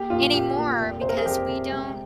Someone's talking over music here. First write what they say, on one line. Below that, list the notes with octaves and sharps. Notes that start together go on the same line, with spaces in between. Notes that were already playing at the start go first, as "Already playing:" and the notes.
anymore, because we don't
Already playing: A#3 G4
A#1 F4
A#1 G4
A#3
F1
C3 C5
A#4
G#4
F2 G4
C3
G#3